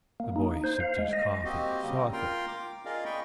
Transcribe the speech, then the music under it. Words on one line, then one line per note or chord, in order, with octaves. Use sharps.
The boy sipped his coffee thoughtfully.
A#3
D#4
C5
F5
G#3
D#5
A#3 C4 F#4 G4 D#5
C#3 G3 A#3
F4 A#4 G5 A#5 C6
D6
F4 G#4 A#4 D5 D#5 F5
D#5 G5 B5 C#6